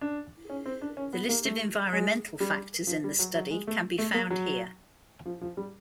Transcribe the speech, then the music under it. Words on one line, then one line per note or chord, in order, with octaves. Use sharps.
The list of environmental factors in the study can be found here.
D4
C#4
C4
D4
C#4
B3
A#3
A3
G#3
G3
F3
G3
F#3
F#3
G#3
A3
A3
A#3
F#3
F3
F3
G3